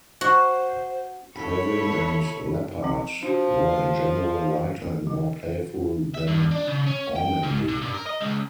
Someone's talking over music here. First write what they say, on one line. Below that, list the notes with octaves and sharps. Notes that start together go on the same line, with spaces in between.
Previn and Leppard were in general lighter and more playful than Ormandy.
F#4 C5
E4 A4 C#5 B5
F3 C4
F3 D4 F#4
F3
E5
G2
D4
C#3
C#4
G5
G#2
C3
G2
A#4
D#5
C#2